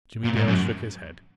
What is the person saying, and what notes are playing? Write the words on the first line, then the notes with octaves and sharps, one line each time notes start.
Jimmie Dale shook his head.
A#2
G#2
F#2